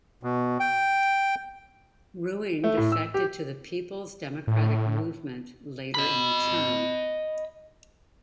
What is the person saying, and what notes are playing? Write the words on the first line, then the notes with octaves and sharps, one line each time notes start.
Ruing defected to the People's Democratic Movement later in the term.
B2
G5
A3
A2
E6
G4
A2
D#5 B5